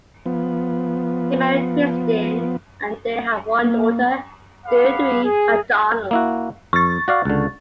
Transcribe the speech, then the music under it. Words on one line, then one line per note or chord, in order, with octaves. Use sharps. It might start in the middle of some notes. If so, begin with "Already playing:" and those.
He married Christine and they had one daughter, Deirdre MacDonald.
F3 B3
A#3
G#4 B4 F5 F#5 B5 D6
G#4
A#3 E4 F#4
F2 C#6 A6
F#4 D5 F5
C#2 D3